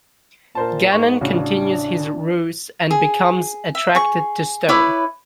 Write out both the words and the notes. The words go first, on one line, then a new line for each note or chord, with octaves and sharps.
Gannon continues his ruse and becomes attracted to Stone.
A#2 A#4 C5 A5
G#2 C#6
A1 C#3 D4 F#4
G#4
E5
G#4 C#6
E4 B4 C#5 D6